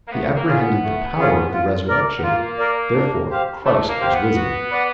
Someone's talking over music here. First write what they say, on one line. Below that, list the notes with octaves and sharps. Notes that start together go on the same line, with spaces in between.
He apprehended the power of the Resurrection, therefore Christ was risen.
A#3
A3 B3
A#3
C#4 F4 G#4
B3
A3
C#4 F4 G#4
F4
A#4 D5
B3
A#3 F4
A#4 D5
D4
G4 C5 F5
A3 D4
A#3
G4 C5 F5
B3
F#4
B4 D5 F#5